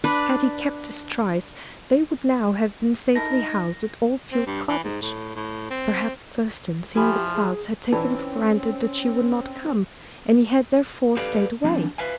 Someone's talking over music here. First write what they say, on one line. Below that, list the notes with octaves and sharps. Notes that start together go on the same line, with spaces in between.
Had he kept his tryste they would now have been safely housed at Old Field Cottage. Perhaps Thurston, seeing the clouds, had taken for granted that she would not come, and he had therefore stayed away.
D4 B4 D5
A3 D#4 E4 A#4 A#6
C4
G2
E3
G#2
A2
A2
C4
F3 E4 G4 G#5 B5
G#4
E3 C4 C#4 D#4 D5 B5
G4 A4 B4 D5 F5
F3 C4 D4
B4 E5 F5 G#5